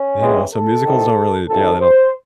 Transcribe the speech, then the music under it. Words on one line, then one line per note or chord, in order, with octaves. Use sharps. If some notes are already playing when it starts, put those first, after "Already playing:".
You know, so musicals don't really yeah, they don't
Already playing: C#4
E2 C#3 E3 G#3 C4
A4
C2 C3 D#3
G#1 F#2 D#3 A4
C5